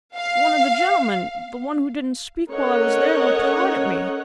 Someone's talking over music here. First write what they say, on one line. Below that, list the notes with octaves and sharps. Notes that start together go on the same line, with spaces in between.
'One of the gentlemen, the one who didn't speak while I was there, looked hard at me.
F5
C#4 A4 A#4 C#5 D#5 F#5